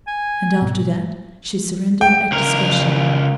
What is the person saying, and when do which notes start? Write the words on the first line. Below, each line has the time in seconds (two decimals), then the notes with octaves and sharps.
And after that she surrendered at discretion.
0.07 G#5
0.62 G#2 B2 C4
2.01 G5
2.32 C#2 A#4